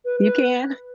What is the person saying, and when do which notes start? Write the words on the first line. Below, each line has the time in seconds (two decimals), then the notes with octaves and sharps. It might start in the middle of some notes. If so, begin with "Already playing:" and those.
You can?
0.05 B4
0.20 B4